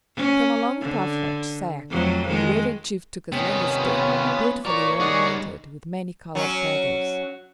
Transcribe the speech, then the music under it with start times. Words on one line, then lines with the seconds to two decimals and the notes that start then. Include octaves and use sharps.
From a long parfleche sack the Raven chief took a slender stick, beautifully ornamented with many-colored feathers.
0.16 C#4
0.81 D3
1.90 F2 F#3 A3
2.28 D#3 G#3
3.32 C3 D#3 B3 C#4
3.79 F4 B4 C#5
4.65 F4 A#4 C#5 D5 A#5 C#6
5.00 G3 D#4 G#4 D5 F#5
6.35 F#3 C#4